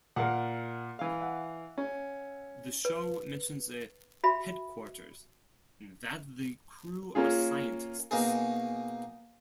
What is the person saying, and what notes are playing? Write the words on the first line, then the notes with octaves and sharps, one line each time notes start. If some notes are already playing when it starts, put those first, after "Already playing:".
The show mentions a "headquarters" and that the crew are scientists.
A#2 A#4 F5 F#5
E3 F5
E5 F#5
C#4
B4
F#4 E5 B5
A#3 C#4 F4 G#4
B2 A#3 D#4 G#4